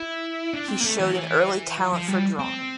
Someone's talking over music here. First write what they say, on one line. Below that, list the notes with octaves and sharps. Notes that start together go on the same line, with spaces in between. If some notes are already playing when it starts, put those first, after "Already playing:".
He showed an early talent for drawing.
Already playing: E4
D4
C4
A#3
A3
E3
F3
E3
F3
F3
G3
C4